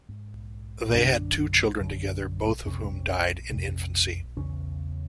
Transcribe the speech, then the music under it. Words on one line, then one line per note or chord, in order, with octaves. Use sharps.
They had two children together, both of whom died in infancy.
G#2
F#2 D3 D4
F#2 D3
F2 C3 C#4
F2 C3
E2 C#3 C#4